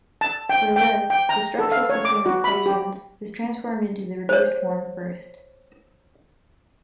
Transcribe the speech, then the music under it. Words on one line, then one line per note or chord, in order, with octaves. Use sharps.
For this, the structural system of equations is transformed into the reduced form first.
A5
G5
G5
G5
A#5
A4
F5
C#5
D6
F#4
B5
G4
C5 C#5